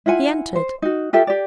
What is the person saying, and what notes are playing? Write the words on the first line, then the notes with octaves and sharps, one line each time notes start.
He entered.
E4 F4 F#5 G#5
C5
D#4 F#4
F4 G4 A4 E5
G4 D5